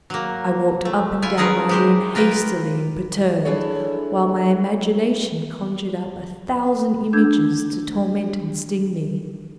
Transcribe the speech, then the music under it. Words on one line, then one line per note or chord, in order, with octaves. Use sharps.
I walked up and down my room hastily and perturbed, while my imagination conjured up a thousand images to torment and sting me.
F#3 A#3
A3
E4 F4 G#5
C#4 D#4 G#4 A#4 B4
G#3 G4 C5
F4 A#4 B4 G5
D4 E4 F4 G#4 A4 C#5
A3 D4 E6 G6 G#6